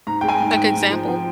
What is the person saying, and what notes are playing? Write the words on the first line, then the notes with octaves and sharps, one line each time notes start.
Like, example?
G#2 A#5
G#3 G5
G#5
G#2
G5
G#2
G#2
F3
F3